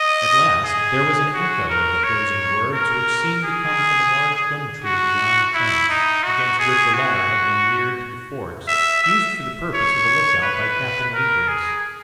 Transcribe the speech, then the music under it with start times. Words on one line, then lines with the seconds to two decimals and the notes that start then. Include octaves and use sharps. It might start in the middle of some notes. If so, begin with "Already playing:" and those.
At last there was an echo of the closing words which seemed to come from a large gum tree beyond the tents, against which a ladder had been reared to the forks, used for the purpose of a look-out by Captain Leebrace.
Already playing: D#5
0.64 G#4
1.34 F#4
1.69 A#4
2.03 C#5
2.73 A#4
3.44 G#4
4.84 F#4
5.53 E4
5.89 D#4
6.23 F#4
6.59 G#4
6.93 F#4
8.68 E5
9.03 E5
9.74 C#5
10.43 B4
11.14 A#4
11.48 G#4